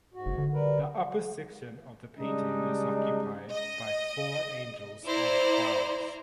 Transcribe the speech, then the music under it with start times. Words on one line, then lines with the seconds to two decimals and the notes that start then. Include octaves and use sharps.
The upper section of the painting is occupied by four angels on clouds.
0.14 G#2 F#4
0.26 F#1
0.38 D3
0.53 G3 A#4 B4
2.18 C#3 G3 G#3 D4 D#4
3.52 D#5
5.05 E4 C5 D5 A#5